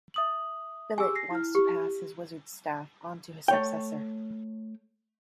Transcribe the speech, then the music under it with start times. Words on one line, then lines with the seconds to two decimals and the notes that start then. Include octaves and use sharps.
Billet wants to pass his wizard's staff on to his successor.
0.14 E5 D#6 F#7
0.98 G4 G#4 G#5 E6
1.15 A#6 C7
1.31 E4 F6
1.55 G4
3.48 A3 C#5 G5